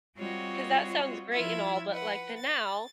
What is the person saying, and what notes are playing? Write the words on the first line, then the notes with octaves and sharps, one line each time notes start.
'Cause that sounds great and all, but like the now,
G3 C4 F4 F#4 C#5 D#5
F3 E4 F4 E5 G#6
B4 F#5
A6